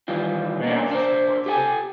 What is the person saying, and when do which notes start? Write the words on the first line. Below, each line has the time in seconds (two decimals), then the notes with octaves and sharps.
May I ask a question?
0.08 D#3 E3 G3 F4
0.63 A#3 C#4 D4
0.91 D4 C5
1.46 G4 A4 F#5 G#5